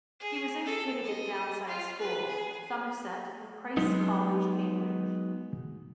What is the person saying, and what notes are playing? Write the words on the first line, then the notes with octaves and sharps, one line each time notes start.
He was educated at Downside School, Somerset, and Christ's College, Cambridge.
G#4
A4
D#5
F4
B4
G#4
F#3 G#3 B3 D#4